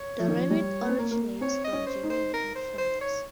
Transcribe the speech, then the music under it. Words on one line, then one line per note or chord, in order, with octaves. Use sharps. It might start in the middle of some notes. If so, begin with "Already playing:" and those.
The rabbit originates from Germany and France.
Already playing: C#5
F3
D#3
F3
G3
A#3
C4
A#3
A#3
C4 C#5
D#5
C#4
C5
D#4
C5
A#4
C5
C5
C#5